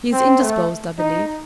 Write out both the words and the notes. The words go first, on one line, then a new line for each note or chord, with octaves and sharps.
She is indisposed, I believe.
C4
A3
D#4